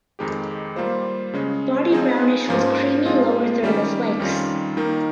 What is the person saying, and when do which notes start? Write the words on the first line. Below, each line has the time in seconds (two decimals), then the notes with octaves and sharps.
Body brownish with creamy lower third of flanks.
0.19 F2 D#3 G#3 D#4 G4
0.76 G3 A#3 F4 C5
1.34 C#3 G#3 C#4
1.90 F3 C4 D#4 G#4 C5
2.48 G#2 F3 A#3 C#4 F4
3.06 F3 G#3 C4 F4
3.63 D#3 G3 C#4 G4
4.19 F2 D#3 G3 C#4 F4
4.77 D#3 A#3 D#4 A#4